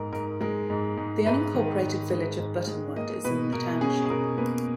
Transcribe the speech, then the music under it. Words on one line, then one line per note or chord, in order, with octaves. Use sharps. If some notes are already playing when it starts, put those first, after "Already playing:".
The unincorporated village of Buttonwood is in the township.
Already playing: G#2 G#3 G#4 A#4
G#2 A#4
G#3 A#4
G#2
G#2
G#2 B4
D#3
G#2
G#3
G#2
G#3
A#3 D#5
B2 B4
B2 A#4
C#4 G#4
G#4
B2 A#4
A#3 B4